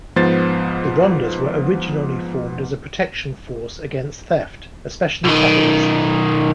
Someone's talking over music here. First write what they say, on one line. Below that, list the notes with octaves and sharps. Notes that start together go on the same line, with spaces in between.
The rondas were originally formed as a protection force against theft, especially cattle rustling.
G#2 F3 B3 C5 A6
B1 D#3